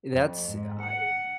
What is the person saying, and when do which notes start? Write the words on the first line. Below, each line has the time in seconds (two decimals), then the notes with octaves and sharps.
that's I
0.14 F2
0.48 G#2
0.82 F#5